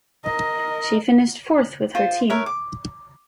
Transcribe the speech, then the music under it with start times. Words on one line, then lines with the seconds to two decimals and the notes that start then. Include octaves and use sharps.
She finished fourth with her team.
0.24 A#4 D#5
1.95 F4 C5
2.30 A#4 B4 C#5 E5
2.46 D6